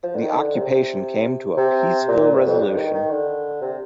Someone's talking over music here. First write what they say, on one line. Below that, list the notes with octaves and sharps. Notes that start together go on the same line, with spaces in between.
The occupation came to a peaceful resolution.
F3
D3
D#3
D3
C3
C3
A#2
A#2
G2
F2
G2
D#3
D#3
D3
C3